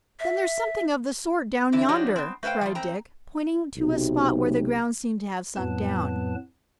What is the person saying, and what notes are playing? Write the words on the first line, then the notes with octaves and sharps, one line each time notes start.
"Then there's something of the sort down yonder," cried Dick, pointing to a spot where the ground seemed to have sunk down.
E5
D3 E3 E4
F3 D4 D#4 F#4 G4 C#5
B3 C4
A3 B4 C5 F5 G5
F3 G3 F4
F#2 C4 G5 A#5
B1 C3
F2 A2 F#3 B3 B4 A5